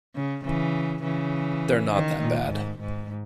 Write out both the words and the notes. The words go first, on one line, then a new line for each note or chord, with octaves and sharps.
They're not that bad.
C#3
C#3 E3
C#3 E3
D#3
A#2
G#2
G#2